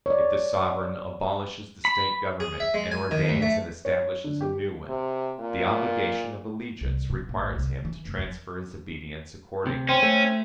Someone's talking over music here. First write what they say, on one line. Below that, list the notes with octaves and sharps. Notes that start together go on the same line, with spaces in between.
If the sovereign abolishes the State government and ordains and establishes a new one, the obligation of allegiance requires him to transfer his obedience accordingly.
C#5 D5
B5
G#4
E5
G#3
G#5
D#3
D2
A3
C#5
D3
G4
C3
A#2
C2
B2
A1
C2
E3
F1
F2
C3
C#4 C5 G5 C6
A3